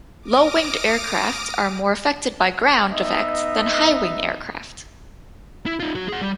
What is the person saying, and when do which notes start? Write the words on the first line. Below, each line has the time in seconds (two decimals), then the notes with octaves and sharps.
Low winged aircraft are more affected by ground effect than high wing aircraft.
0.22 D6 D#6 F6 A#6 D7
2.91 B3 D#4 D#5 E5
5.66 E4
5.80 D#4 F4
5.95 F#3 F#4
6.08 G#4 F#5
6.21 G3